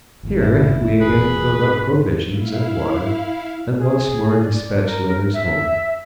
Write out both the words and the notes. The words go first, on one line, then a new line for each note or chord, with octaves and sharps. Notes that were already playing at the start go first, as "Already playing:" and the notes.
Here we again filled up provisions and water, and once more despatched letters home.
G1 E2 A2
E4
F1 E2 G#4 B4
G#2
E4 F5
G#4
D5
A#4
E5